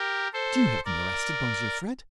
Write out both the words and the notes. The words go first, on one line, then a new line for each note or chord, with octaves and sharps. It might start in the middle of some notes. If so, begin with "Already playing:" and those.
"Did you have them arrested, Monsieur Fred?"
Already playing: G4 A#4
A4 C5
A#4 D5